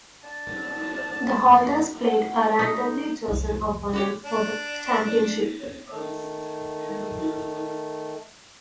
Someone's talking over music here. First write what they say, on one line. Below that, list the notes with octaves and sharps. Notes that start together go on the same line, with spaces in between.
The holders played a randomly chosen opponent for the championship.
D4 A5
F2 A#3 C6
F#5
A4 C#6
D#4
F1 C2
F#4 G4 C#5
D4
D#3 A3